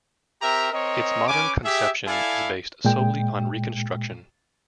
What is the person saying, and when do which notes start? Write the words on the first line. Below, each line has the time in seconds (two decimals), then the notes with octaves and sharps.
Its modern conception is based solely on reconstruction.
0.42 C4 G4 A#4 E5 A#5
0.72 C4 A#4 C#5 D#5
1.28 C#4 B4 G#5 D6
1.65 G4 G#4 E5
2.07 E4 A4 D5 F5 G#5
2.85 A#2 G#3 G5